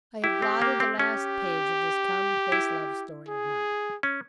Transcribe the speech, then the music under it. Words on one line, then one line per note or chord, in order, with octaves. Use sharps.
I have blotted the last page of this commonplace love-story of mine.
E4 G4
C4
A#3
C4
C#4 G4
E4
G#4
C#4